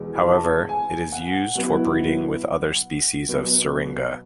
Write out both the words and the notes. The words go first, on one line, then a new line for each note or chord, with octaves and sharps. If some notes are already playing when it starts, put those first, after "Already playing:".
However, it is used for breeding with other species of "Syringa".
Already playing: E2 B2 G#3
A5
G#5
F#5
B2 F#3 B3 E4 F#5
B2 F#3 B3